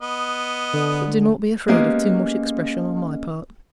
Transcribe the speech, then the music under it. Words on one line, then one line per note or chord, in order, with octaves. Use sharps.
But do not be afraid of too much expression on my part.'
B3 D#5
D3
G#3 A#3 B3 C#4 G4